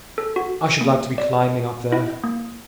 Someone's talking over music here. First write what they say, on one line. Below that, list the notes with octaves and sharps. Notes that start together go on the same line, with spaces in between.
I should like to be climbing up there!
A4
F#4
A#3
D5
E4
A#3